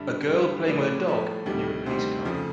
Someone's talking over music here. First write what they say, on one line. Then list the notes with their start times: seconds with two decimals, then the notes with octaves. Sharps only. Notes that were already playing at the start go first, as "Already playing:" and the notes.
A girl playing with a dog near a police car.
Already playing: G2 D3 G3 E5
0.27 G2 D3 G3
0.67 A2 F3 A3 D5
0.80 D5
0.93 C#5
1.07 A2 F3 A3 C#5
1.46 D2 C3 D#3 G3
1.86 D2 C3 D#3 G3 C5
2.25 F2 C#3 F3 A3